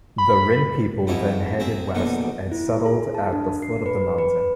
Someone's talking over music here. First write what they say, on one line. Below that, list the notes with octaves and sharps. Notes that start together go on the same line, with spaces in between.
The Rin people then headed west and settled at the foot of the Mountain.
B5
F2 G#2 F3 E4 C#5 D#5
C4 G#4 A#4 E5
A#1 B2 D3 D#4 C#6
E4
G#4
A5
D4
C7
B4
B4